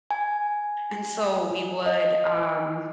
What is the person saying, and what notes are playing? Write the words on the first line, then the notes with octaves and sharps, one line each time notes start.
and so, we would, um,
G#5
D#5